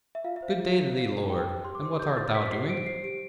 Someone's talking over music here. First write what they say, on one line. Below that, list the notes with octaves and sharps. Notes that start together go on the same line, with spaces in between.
'Good-day to thee, lord; and what art thou doing?'
E5
F4 F5
E5
C5
F5
F4
F4
C5
C5
G4 G5
G4
G4 C6
D6
C5 C6
G4 G6
C5 A6
C5 B6
B6
G4 C7
C5 D7
C5 C7
G4 D7